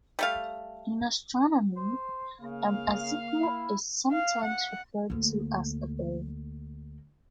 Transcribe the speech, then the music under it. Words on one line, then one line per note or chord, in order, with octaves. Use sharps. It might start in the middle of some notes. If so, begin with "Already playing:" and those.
In astronomy, an "azimuth" is sometimes referred to as a bearing.
G3 A3 F5
C5
C#3 A#3 F5
E4 B5
F5
F#5
D2 A#3